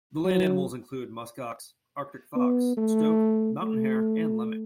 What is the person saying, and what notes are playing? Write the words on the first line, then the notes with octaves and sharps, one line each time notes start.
The land animals include muskox, Arctic fox, stoat, mountain hare and lemming.
F#3
B3
A3
A3